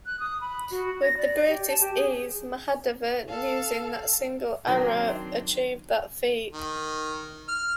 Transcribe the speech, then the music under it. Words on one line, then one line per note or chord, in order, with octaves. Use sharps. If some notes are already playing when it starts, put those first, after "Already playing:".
With the greatest ease, Mahadeva, using that single arrow, achieved that feat.
F#6
D#6
B5
F#4
A#6
D5
G4
A5
G4
G#4
A4 F5
D#3 F#3 C4 D4 C5
D#3
F6